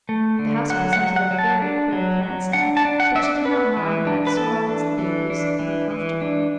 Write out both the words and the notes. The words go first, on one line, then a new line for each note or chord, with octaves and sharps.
The house presented a very queer appearance now, but she did not mind that so long as the babies were comfortable.
A3
D3
F#3 F#5
F#5
F#3
F#5
F#3
A5
D4
F#3
F#3
D4 F#5
A5
D4
F#5
D4 E5
D5
B3 B4
E3
D4
B4
E3 A4
D4
E3
D4
E3
E3
D4